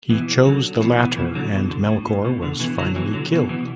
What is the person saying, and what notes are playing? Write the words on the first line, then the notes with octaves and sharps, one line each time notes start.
He chose the latter, and Melkor was finally killed.
B2 E3
D3 F#3
B2 E3
B2 E3
B2 E3
D3 F#3
B2 E3
D3
A2
A2
B2
D3
B2 E3
D3 F#3
B2 E3
D3 F#3
B2 E3
B2 E3